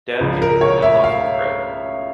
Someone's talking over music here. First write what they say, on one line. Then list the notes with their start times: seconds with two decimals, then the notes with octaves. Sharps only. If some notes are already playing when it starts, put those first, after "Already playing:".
Dad painted the mailbox with red.
0.20 C#2 C#3 F3
0.42 A#4
0.61 C#5
0.82 E5
1.04 F5